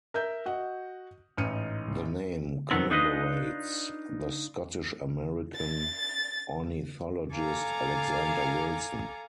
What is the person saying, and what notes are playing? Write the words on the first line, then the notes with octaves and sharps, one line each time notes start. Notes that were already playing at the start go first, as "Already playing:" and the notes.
The name commemorates the Scottish-American ornithologist Alexander Wilson.
A#4 E5 G6
F#4 D#5 F#5
A1 G#2 D#4 F6 C#7 D#7
C2 F2 D#3 B3 C4
D4 D#4 F4 B4 D#5
A6
A4 F5 G#5 A#5 D6